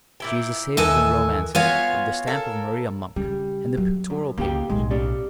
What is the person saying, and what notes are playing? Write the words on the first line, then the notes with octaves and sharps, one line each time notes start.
She is assailed in romances of the stamp of Maria Monk, and in pictorial papers.
A#2 E4 G5
D#2 E3 A4 G#5
B3 F4 F#4 C#5 F5 G#5
A4 A#4
C#3 G3
F#3
F#2
C#2 A#3 G4 G5
B1 A2 G#3
C#4 G4 D5